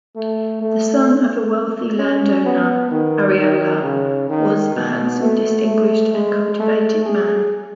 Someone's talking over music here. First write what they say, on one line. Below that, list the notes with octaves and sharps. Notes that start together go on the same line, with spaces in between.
The son of a wealthy landowner, Arriola was a handsome, distinguished and cultivated man.
A3
A3
C#4
B3
D#3
D#3
C#3
D#3
B2
A3
A3
G#3
A3
G#4